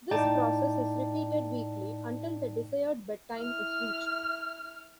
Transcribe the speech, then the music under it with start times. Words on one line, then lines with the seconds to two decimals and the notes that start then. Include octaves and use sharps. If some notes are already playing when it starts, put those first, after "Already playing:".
This process is repeated weekly until the desired bedtime is reached.
0.11 A2 D#4 D5 G5 A5 A6
3.35 E4 F6